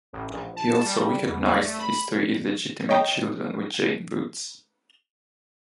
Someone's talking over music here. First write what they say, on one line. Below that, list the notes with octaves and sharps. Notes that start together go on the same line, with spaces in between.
He also recognised his three illegitimate children with Jane Woods.
A1
A#1
A5
G3
E2
D5
A3
B5
C#5 D#5 G5 A#5